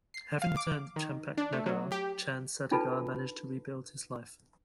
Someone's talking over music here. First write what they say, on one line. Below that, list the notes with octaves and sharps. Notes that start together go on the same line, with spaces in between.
Having returned to Champak Nagar, Chand Sadagar managed to rebuild his life.
C7
F5
D6
D#3
D4
A3
F#3
G4
D4 D#4 F4 A4 B4 A5